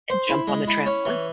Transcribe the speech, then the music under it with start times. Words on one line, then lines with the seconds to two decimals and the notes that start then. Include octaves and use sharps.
and jump on the trampoline,
0.10 C5
0.29 E4
0.47 G#3
0.68 E4
0.86 C#4
1.05 E3